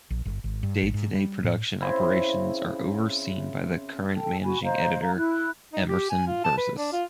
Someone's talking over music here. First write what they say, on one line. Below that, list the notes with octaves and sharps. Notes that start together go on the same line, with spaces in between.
Day-to-day production operations are overseen by the current managing editor, Emerson Bursis.
A#1
G1
G#1
G2
A1
G#2
G3
A2
C#3 C4 E4
A4 G5 A5
F#4 G#5 B5
C5 D#5 F5 A#5
F5 A#5
E4 F#6
D#4
G4
G#5
F4
A5
B4
D4
F4